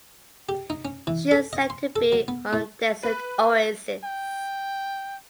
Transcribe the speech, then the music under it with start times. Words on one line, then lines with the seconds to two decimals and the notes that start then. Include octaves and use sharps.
She is set to be on desert oasis.
0.49 G4
0.70 D#4
0.85 C#4
1.07 E3
1.31 A4
1.53 D#5
1.70 C6
1.96 A4
2.12 F#3
2.28 B3
2.53 A2
3.03 B4
4.04 G5